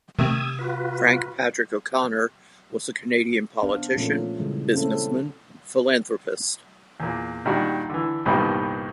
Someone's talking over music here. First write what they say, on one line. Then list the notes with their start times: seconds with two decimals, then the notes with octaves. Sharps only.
Frank Patrick O'Connor was a Canadian politician, businessman, philanthropist.
0.19 C3 D#3 A3 C4 D#6 E6 G#6
0.59 F4 F#4 B4
3.63 B3 D4 C5 D5 F5
3.96 A#2 F3 A3 C#4 F4 A#4
4.38 C#3 E3 G3 G#3
4.72 A#3 C4 C#4 E4 A4
7.00 E2 A#2
7.45 A#2 D#3 G3 D4 F#4
7.90 D3 E3
8.25 C2 G2 A#2 D#3 G3 B3